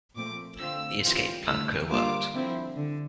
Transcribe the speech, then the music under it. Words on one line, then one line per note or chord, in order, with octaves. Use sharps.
The escape plan could have worked.
A#2 F3 A3 C4 D6
D3 A3 C4 F4 E6
E3 G3 C4 F4
D3 A3 E4 E6
D3 G3 A#3 F4 D6
D3 F3 C4 E4
D3